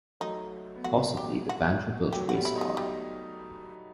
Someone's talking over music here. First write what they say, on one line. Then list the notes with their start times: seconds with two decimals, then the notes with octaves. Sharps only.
Possibly the Vanderbilt race car.
0.20 F#3 A3 D#4
0.75 B3
0.84 F#3 A3 F#4
1.17 G4
1.49 F#4
2.13 F#3 A3 G4
2.29 F#4
2.34 G3 B3
2.45 E4
2.56 B3 D#4
2.61 F#3
2.77 G3